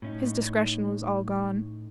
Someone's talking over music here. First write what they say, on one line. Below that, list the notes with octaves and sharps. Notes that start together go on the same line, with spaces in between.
His discretion was all gone.
A2 C#4 D#4